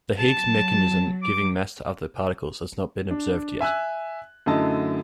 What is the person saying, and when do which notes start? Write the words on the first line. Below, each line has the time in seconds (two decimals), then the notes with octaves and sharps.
The Higgs mechanism giving mass to other particles has not been observed yet.
0.19 F#3 A5
1.23 D6
3.11 D4
3.61 E5 G#5 E6 F#6
4.46 F#2 D3 A3 E4 D#5 A5